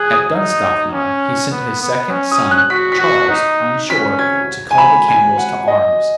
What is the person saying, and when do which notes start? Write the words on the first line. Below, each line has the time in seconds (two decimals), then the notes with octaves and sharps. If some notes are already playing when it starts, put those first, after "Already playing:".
At Dunstaffnage he sent his second son Charles on Shore to call the Campbells to arms.
Already playing: G#4 F#6 G#6
0.13 D#6
0.33 D#4
0.93 C#4
1.52 B3
1.82 B3
2.11 C#4
2.31 D#6
2.51 F#6
2.70 F#4 B6
2.92 B6
3.00 F#4
3.30 D#4
3.90 C#4 B6
4.19 G#6
4.71 G#5
4.78 B5
5.08 G#5
5.38 F#5
5.68 D#5